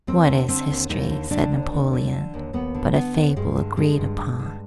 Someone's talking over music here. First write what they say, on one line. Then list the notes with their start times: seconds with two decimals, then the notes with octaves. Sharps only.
"What is history," said Napoleon, "but a fable agreed upon?"
0.08 D#2 C4
0.28 D3
0.48 D3 C4
0.70 D#2
0.89 D#2 D#4
1.10 D3
1.31 D3 D4
1.52 D#2
1.72 D#2
1.93 D3
2.13 D3
2.34 D#2
2.53 D#2 B3
2.75 D3
2.94 D3 B3
3.15 D#2
3.36 G2 G#3
3.56 D3
3.77 D3 G#3
3.98 G2
4.18 G2
4.39 D3